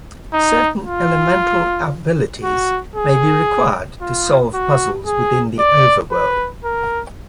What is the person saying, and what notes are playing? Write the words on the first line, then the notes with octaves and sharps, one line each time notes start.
Certain elemental abilities may be required to solve puzzles within the overworld.
D#4
F4
F#4
G#4
F4
F#4
G#4
D5
B4
A#4